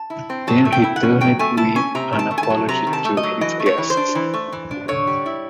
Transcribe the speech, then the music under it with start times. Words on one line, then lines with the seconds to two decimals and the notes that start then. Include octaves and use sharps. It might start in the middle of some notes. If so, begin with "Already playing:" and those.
Then he turned with an apology to his guests.
Already playing: A5
0.10 E4
0.30 C4
0.47 F#3 A5
0.65 A3
0.72 G5
0.84 E4
0.96 F#5
1.03 C#4
1.21 F#3 G5
1.39 A3 G#5
1.57 E4 A5
1.76 C#4 G#5
1.95 C3 A#5
2.13 D#3
2.19 A5
2.31 A3
2.38 G#5
2.43 A5
2.50 F#3
2.68 C3 A#5
2.87 D#3
2.93 A5
3.05 A3
3.17 D#5
3.23 F#3
3.41 E3 D#5
3.60 A3
3.66 C#5
3.78 E3
3.90 C5
3.97 D4
4.15 E3
4.34 A3
4.52 E3
4.71 D4
4.88 D3 C#5
5.07 G3
5.26 E4